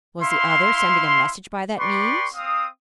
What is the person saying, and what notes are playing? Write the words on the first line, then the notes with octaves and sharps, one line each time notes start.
Was the other sending a message by that means?
E4 F5 C6
G4 B4 D5 C6 C#6
C4 F5 D#6